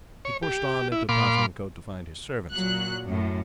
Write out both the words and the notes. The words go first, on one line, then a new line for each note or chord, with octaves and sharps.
He pushed on into Pathankote to find his servants.
C#5
G4
E4
A#2 F5 B5 C6 D6
A#2 F#3 F#6
F#2 A2